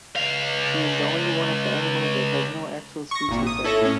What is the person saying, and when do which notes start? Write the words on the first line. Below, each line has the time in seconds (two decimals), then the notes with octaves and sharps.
She is the only one of the animals that has no actual speech defect.
0.16 C#2 F5
3.11 C#6 A#6
3.28 G#1 A#2
3.47 D#6
3.64 E4 A4 C#5 A#6
3.81 A2 C#4